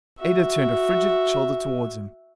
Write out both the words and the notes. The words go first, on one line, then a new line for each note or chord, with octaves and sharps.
Ada turned a frigid shoulder towards him.
F#4 E5